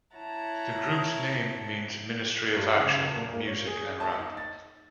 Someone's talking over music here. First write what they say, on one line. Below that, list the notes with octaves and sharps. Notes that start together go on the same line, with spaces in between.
The group's name means 'ministry of action, music and rap'.
E4 C#5 F#5 A5 A#5
G2
C#3
D#1
A#2
A#3
C#5
G#4
A5
D#4
A6